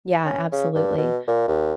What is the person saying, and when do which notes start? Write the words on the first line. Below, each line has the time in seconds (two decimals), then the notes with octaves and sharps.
Yeah, absolutely.
0.25 C#4
0.52 C#3
0.75 G2
0.97 B2
1.27 A#2
1.48 D#2